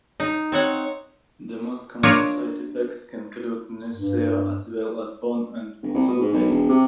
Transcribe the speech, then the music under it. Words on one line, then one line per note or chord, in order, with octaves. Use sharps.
The most common side effects include nausea as well as bone and muscle pain.
D#4
C4 C#5 F#5
A#3 D4 F4 A#4 C#5 D#5
G2
G1
C2
B2
G#2
B1
E1
C3